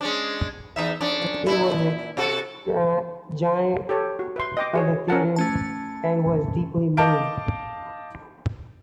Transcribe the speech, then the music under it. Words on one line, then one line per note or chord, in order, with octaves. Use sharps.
He was a giant of the theater and was deeply mourned.
G#3 C#4 D4
E2 D#4 E5
F2 C#4 D4
A#2 E4
C3 F#4 A4
G4 A4 C#5
F#4
B4 E5 C6
D#5 G5 D6
F#4 G#4 C#5
C#4 A#4 F#5 A5
A3 C#4 A5
D#5 F5 A5 D6 G6 D7